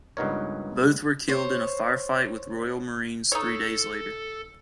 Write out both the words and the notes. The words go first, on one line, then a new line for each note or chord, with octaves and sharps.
Both were killed in a firefight with Royal Marines three days later.
C#2 G2 B3 D#4 A#4 C#5
C5 C#5
D#4 A4 C#5